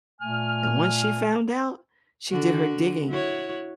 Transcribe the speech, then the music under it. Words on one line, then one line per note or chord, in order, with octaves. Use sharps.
and once she found out, she did her digging
A#2 A3 G#5 F6
D3 F#4
E4 F#4 C#5